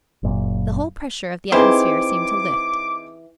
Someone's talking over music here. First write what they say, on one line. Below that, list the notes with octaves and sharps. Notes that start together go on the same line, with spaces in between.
The whole pressure of the atmosphere seemed to lift.
F#1 F#2 A#2
E3 C4 D#4 G4 G#4 C5 D6